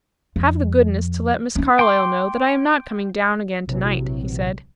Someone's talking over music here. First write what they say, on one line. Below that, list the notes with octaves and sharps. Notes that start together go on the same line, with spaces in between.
"Have the goodness to let Miss Carlyle know that I am not coming down again to-night," he said.
F2
C#4 D#4
G5 C6 D6
A#1 C3 E3 F#3